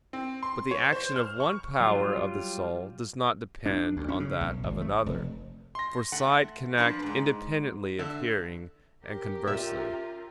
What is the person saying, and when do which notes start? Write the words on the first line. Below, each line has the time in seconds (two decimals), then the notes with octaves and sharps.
But the action of one power of the soul does not depend on that of another; for sight can act independently of hearing, and conversely.
0.13 C4
0.43 C6
0.71 C#5
0.93 C5
1.16 F6
1.40 C#6
1.80 F#3 G3 F4
3.66 D4
3.97 D2
4.09 C#4
4.20 C#3
4.41 B1
4.63 G#1
4.81 A3
5.06 F1
5.75 C6 A#6
6.12 A3 F#5
6.78 F3 D4 B4
7.03 G#2 G#3
7.99 D3 E5
9.04 C#4 G4 A#4
9.47 F4 E5